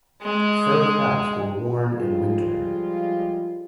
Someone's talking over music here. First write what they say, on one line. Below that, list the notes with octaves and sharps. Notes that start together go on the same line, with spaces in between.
Fur caps were worn in winter.
G#3
F3 G3 G#3 F4